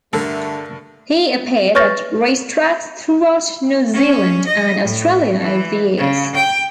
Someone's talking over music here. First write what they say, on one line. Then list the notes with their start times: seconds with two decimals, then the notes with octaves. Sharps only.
He appeared at racetracks throughout New Zealand and Australia over the years.
0.13 G2 D3 G3 A3 A4 A#4 A5
1.75 B4 C#5 C#6 F6 A6 A#6
3.93 C#4
4.46 D#5
4.82 A2
5.39 E3
5.97 C#3
6.35 G5